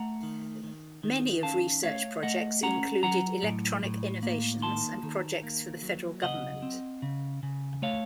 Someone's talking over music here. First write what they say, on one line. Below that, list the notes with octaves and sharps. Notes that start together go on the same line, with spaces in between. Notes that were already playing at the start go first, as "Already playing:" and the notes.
Many of research projects included electronic innovations and projects for the federal government.
Already playing: A3 F#5 A#5
D#3
D#3
D#3
C#4 F5 A5
A3 C#5 F5
A3 D#5 F#5
C#4 F#5 A#5
F#3 F#5 A#5
A2
A2
A#3
D#3 A5 C6
D#3
A#3
F#3
C#3 D#5 F#5
C4
C#3
C#3
A3 C#5 F5